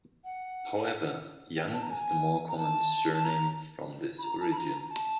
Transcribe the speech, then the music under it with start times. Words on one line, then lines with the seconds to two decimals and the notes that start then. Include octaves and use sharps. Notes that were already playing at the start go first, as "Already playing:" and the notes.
However, Young is the more common surname from this origin.
0.24 F#5
1.57 G5
1.73 A5
1.83 A#5
1.91 G#5
2.48 A#5
2.57 A5
3.13 A5
3.24 A#5
4.18 B5
4.24 A#5
4.41 A5
4.53 B5
4.58 A#5
4.82 A#5
4.90 A5